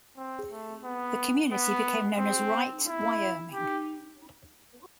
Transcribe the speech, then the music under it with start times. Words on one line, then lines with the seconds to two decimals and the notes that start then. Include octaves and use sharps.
The community became known as Wright, Wyoming.
0.17 C4
0.51 A3
0.84 B3
1.52 B3
2.18 C4
2.87 E4
3.53 G4